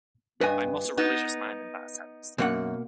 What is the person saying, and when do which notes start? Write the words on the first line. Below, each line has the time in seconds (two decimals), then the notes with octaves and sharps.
I'm not a religious man in that sense.
0.41 G2 B4 D#5 G#5
0.97 B3 D#4
2.38 F#2 B2 A#3 F#5